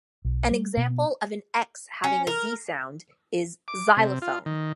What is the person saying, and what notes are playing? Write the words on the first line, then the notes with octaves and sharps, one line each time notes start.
An example of an X having a Z sound is xylophone.
B1
G3
B2
C#4
A#4
D6
C3
F4
D#3